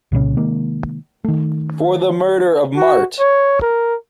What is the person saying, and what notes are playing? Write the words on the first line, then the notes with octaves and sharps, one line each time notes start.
For the murder of Marthe.
C2 A#2 C#3 C#4
C3 D#3 G#3 A#3
D#3 A3
F#4
C#5
A#4